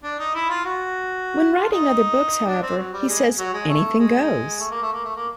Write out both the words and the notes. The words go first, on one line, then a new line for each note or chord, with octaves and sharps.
When writing other books, however, he says, Anything goes.
D4
D#4
E4
F4
F#4
F4
D#4
D4
C4
F#3
G3
G#3
F#3
G#3
A3
G#3
A3
A#3
A3
A#3
A3
A#3